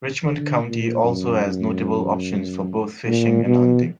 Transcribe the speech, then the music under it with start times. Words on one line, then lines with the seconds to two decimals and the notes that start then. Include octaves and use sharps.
Richmond County also has notable options for both fishing and hunting.
0.23 D3
0.64 A#2
1.03 F#2
1.44 F#2
3.05 A#2
3.46 B2